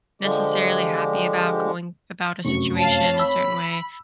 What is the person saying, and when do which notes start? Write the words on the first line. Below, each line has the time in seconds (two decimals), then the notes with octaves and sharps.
necessarily happy about going about a situation a certain way,
0.22 D3 F3 G#3 G4
2.45 F1 F#2 C#6
2.77 C4 C#5 F5 A5
3.19 B5 E6